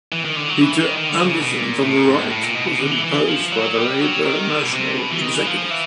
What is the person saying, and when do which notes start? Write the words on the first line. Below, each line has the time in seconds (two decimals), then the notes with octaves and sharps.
Peter Anderson from the right was imposed by the Labor national executive.
0.12 E3
0.25 D#3
0.36 D3
0.49 F#3
0.61 E3
0.73 E3
0.85 D#3
0.98 D#3
1.09 D3
1.26 C#3
1.42 B2
1.58 A#2
1.82 A2
2.07 G#2
2.19 A2
2.30 A2
2.43 A#2
2.55 B2
2.67 B2
2.79 D3
2.91 E3
3.04 E3
3.28 F3
3.52 F#3
3.76 G3
4.01 F#3
4.25 D#3
4.50 D3
4.63 B2
4.73 C3
4.98 B2
5.10 E3
5.22 D#3
5.34 E3
5.47 F3
5.71 E3